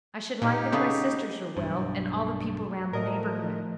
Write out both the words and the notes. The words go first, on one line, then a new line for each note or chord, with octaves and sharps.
I should like if my sisters are well, and all the people round the neighborhood.
A#2 D#4 G4
C#3 A3 B3 G#4
B1 G2
A2 F3 A3 A#4 D#5